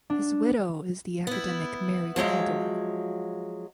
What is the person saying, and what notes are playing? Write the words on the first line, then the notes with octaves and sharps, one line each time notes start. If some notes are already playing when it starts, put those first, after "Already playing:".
His widow is the academic Mary Kaldor.
D4
B3 E4
F3 F#3 G#3 E5